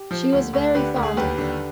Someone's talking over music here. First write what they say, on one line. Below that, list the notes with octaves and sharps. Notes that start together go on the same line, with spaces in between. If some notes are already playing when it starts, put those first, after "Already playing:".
She was very fond of them.
Already playing: G4
F3
D2
D2
D3 G4 B4
D2
G#4
D#2 G4 B4
D3